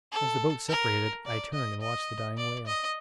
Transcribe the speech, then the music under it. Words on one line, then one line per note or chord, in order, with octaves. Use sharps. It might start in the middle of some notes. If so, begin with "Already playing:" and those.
As the boats separated, I turned and watched the dying whale.
A4
A#4
D5
D#5
D#5
D5
D#5